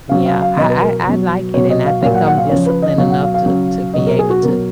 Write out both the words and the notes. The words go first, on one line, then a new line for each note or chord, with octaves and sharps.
yeah, I I I like it, and I think I'm disciplined enough to to be able to,
C#3 F#3 F5
F5
F5
B2 F#3 D#5
B4
A#4
B2 F#3
B2 F#3 C#5
D#5
F5
A#2 F#3 F5
F#5
F#5
F5
C#3 F3 C#5
B4
D#5
B2 F#3 F5
F#5
F5
F5
C#3 F#3
B2 F#3 D#5
A#4
G#4
F#4
B2 F#3 A#4